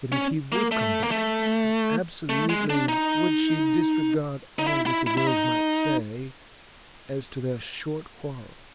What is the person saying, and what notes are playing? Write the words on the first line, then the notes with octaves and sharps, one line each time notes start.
But if he would come back, how absolutely would she disregard all that the world might say as to their short quarrel.
C#4
A#3
A3
A#3
A3
A3
G#3
D4
D#4
D#4
E4
E4
E4
E4
D#4